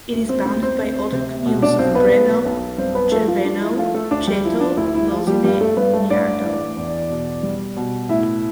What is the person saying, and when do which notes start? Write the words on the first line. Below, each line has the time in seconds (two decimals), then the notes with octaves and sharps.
It is bounded by other communes of Breno, Cerveno, Ceto, Losine, Niardo.
0.13 D2
0.29 C4 C5
0.45 D2 C4 C5
0.63 C4 C5
0.79 D2
1.12 C3
1.46 B2
1.62 D4 D5
1.78 B1 C4 C5
1.95 B3 B4
2.12 B1
2.45 B1
2.78 G2 C4 C5
2.94 B3 B4
3.11 F3 A3 A4
3.28 F3 F4
3.45 F3 D4
3.61 E4
3.77 F3 A3 F4
3.94 A3 A4
4.11 D2 D4 D5
4.27 G3 G4
4.44 F3 E4
4.61 D4
4.77 D2 E4
4.94 E4
5.10 F3 F4
5.27 G3 G4
5.44 G2 G3 G4
5.60 A3 A4
5.77 G2 B3 B4
5.93 A3 A4
6.10 A1 D4 D5
6.44 E3
6.77 E2
7.10 B2
7.43 G3
7.77 B2
8.09 A2 E4 E5